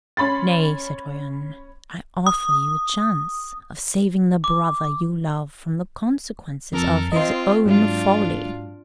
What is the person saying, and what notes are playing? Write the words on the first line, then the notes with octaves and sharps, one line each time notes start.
"Nay, citoyenne, I offer you a chance of saving the brother you love from the consequences of his own folly."
C#4 B5 C6 A6
D#6
D6
F2 A4 A#4
C4 F4 D#5 C6
G#2 F#3 D4 F4